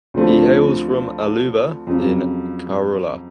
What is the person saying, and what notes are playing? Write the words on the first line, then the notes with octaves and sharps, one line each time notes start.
He hails from Aluva in Kerala.
D2 D3 F3 A3 C4
F2 C#3 F#3